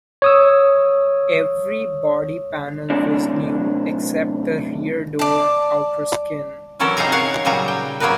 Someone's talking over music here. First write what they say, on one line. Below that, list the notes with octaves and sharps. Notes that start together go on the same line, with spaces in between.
Every body panel was new except the rear door outer skin.
C#5 D#6 E6
F#2 A2 C3 D4
D5 A5
D3 E3 F#3 C#4 A4 A#4
C3 D#4 G#4 F5 G#5 A#5
G#4 A#4 C#5 F5 F#5
A#2 C#3 F#3 G3 G#5 A#5
G5
C#3 F#3 A#3 B3 A#4 B4